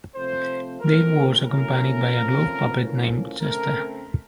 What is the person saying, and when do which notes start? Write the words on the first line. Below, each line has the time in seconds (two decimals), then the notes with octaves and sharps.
Dave was accompanied by a glove puppet named Chester.
0.16 C3 F3 A3 C5
0.81 A#2 A3 C4 A#4
1.45 A2 F#3 A3 C#4 A#4
2.11 C3 F3 A3 C#4
2.75 A2 F3 A#3 C#4
3.40 C#3 A3 C4 A#4